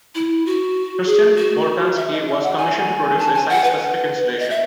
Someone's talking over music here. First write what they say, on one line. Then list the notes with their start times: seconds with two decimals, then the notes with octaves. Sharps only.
Christian Boltanski was commissioned to produce a site specific installation.
0.15 E4
0.46 F#4
1.07 G#4
1.36 F#4
1.97 E5
2.12 D#5
2.28 E5
2.43 F#5
2.58 G#5
3.19 A5
3.34 G#5
3.49 F#5
3.64 B4
4.39 D#5
4.50 E5